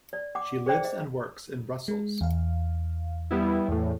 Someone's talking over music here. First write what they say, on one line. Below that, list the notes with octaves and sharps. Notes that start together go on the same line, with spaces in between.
She lives and works in Brussels.
D5
F#5 D6
G#4 C5 D5 G5
D#5
G#3
E2 F5
G3 B3 E4
E2 A2